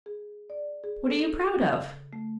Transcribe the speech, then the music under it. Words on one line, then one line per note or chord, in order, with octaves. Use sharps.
What are you proud of?
G#4
D5
G#4
A4
C#3
A3